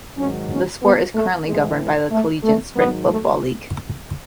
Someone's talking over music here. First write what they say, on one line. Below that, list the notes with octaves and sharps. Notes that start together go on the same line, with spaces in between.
The sport is currently governed by the Collegiate Sprint Football League.
G#2 D#3 F#3 C#4
C#4
B3
A3
A2 E3 G#3
A3
A3
G#2 D#3 F#3 B3
A3